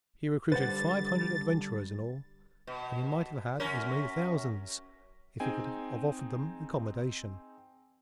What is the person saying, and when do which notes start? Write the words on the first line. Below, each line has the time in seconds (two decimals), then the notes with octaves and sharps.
He recruited five hundred adventurers in all, and he might have had as many thousands if he could have offered them accommodation.
0.52 D3 G3 B4 C5 F#5 A6
2.67 B2
3.60 F#2 C#4 A#4
5.40 C4 D#4 G#4 G5 G#5